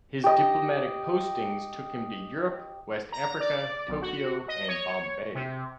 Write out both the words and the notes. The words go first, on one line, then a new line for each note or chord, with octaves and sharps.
His diplomatic postings took him to Europe, West Africa, Tokyo and Bombay.
G4 D#5
A#5
D5
B1
F#4
D#5
C#5
C3